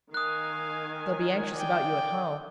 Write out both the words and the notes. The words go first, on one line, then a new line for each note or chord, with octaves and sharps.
They'll be anxious about you at home.
D#3 F5 G#5 D#6 F#6
D5 G5